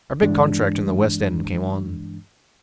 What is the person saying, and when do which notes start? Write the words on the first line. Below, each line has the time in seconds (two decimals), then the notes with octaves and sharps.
Our big contract in the West End came on.
0.21 G2 E3 G#3 D4